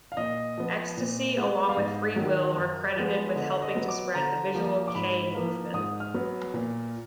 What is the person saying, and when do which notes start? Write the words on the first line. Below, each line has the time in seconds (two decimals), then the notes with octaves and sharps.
Extasy along with Free-Will are credited with helping to spread the visual kei movement.
0.12 F5
0.17 A#2 D#5
0.57 F3 B3
0.97 A#2
1.37 G#3 B3
1.69 F5
1.77 G#2 D#5
2.16 D#3 F#3
2.56 F#2
2.96 F3 G#3 B3
3.36 D3 D#5
3.62 D#5
3.75 F#3 B3
3.88 D6
4.15 D3 A#5
4.55 F3 A#3
4.88 D6
4.95 G#2 B5
5.35 F3 A#3
5.74 G#2 D#6
6.00 F6
6.14 F#3 B3
6.54 A#2